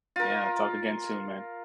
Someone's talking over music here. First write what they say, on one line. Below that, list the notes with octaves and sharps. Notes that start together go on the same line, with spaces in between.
Yeah, talk again soon, man.
F4 A#4